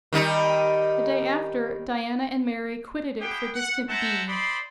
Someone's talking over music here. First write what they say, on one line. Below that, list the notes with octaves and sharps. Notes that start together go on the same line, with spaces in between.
The day after, Diana and Mary quitted it for distant B-.
D#3 G3 D#4
E4 G4 G#4 F#5 G5
F#5
C5 E5 F#5 G5 A5 A#5
C5 D5 D#5 B5 C6